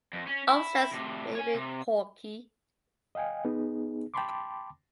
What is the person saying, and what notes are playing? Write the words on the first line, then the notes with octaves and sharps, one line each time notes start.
Old stems may be corky.
F2
C#4
E4
A2 C3
C#5 G#5
C3
D#5 F5 G5 G#5
B3 D#4 G#4
G5 A5 B5 C6 D6